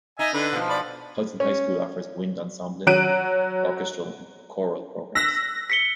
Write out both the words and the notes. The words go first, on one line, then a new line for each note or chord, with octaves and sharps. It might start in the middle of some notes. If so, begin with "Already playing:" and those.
Hudson High school offers wind ensemble, orchestral, and choral programs.
D#4 D#5 E5 G#5
D3 B4
B2 F3
D5 B5
C#4
F#3 F#6 D7 D#7
E6 F#6 A#6 B6
B6 C#7 G7